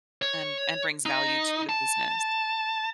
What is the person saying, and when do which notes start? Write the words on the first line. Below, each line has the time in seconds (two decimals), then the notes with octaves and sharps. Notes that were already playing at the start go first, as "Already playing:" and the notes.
and and brings value to the business.
0.22 C#5
1.06 D#4
1.69 A5